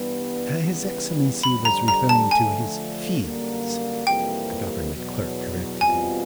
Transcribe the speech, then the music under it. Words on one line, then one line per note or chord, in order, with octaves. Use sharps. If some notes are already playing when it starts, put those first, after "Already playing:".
"His Excellency was referring to his fees," the government clerk corrected him.
Already playing: G2 E3 G3 B3
C#3 E3 G3 B3
F2 D3 G3 B5
A#5
A#5
A5
D3 F3 A3 G#5
F#2 D3 G3 A#3
F2 C3 E3 G3 A#3 G5
E2 B2 F#3
E2 B2 G3 C4 F4 G#5